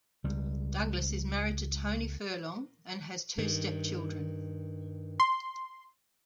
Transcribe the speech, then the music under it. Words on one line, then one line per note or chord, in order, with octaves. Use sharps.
Douglas is married to Tony Furlong and has two step children.
C#2 G3
G2 D#3
C6